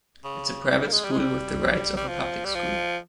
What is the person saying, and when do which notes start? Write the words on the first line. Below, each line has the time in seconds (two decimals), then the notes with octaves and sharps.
It’s a private school with the rights of a public school.
0.24 C#3
0.70 E3
0.81 G3
0.88 A#3
0.92 G#3
1.04 G3
1.12 G#3
1.19 G3
1.97 G3
2.08 F3
2.45 G3
2.55 F3